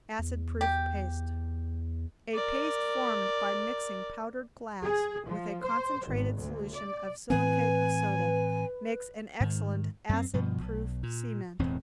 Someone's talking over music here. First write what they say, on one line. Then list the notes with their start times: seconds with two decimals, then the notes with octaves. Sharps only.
Acid-Proof Paste.--A paste formed by mixing powdered glass with a concentrated solution of silicate of soda makes an excellent acid-proof cement.
0.19 E2
0.61 G4
2.34 A#4 D5
4.84 G#4
5.26 F3
5.64 C5
6.08 G#1
6.37 D2
6.74 D5
7.30 A2 E3 C4 B4 G#5
9.40 G#2 D#3
10.09 F#2 C4
10.33 G2 B2 F3
10.61 B1
11.03 A#2
11.59 E1 E2 A2 C4